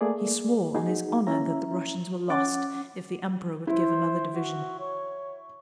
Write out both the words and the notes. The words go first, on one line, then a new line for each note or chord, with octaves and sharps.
He swore on his honor that the Russians were lost if the Emperor would give another division.
A3 A#3 G#4 D5
D#4 F#4 G#4
C#4 E4 E5 A#5
C#4 F#5 D6 A6
E4 C5
F#4
C#5